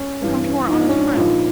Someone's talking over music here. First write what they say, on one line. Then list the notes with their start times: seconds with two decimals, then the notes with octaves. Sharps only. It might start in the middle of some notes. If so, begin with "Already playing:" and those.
Come to our honest friend.'
Already playing: C#4
0.22 G2 E3
0.68 G#2 F3 D#4
0.80 D4
0.89 C#4
0.99 D4
1.16 A#2 F3 D#4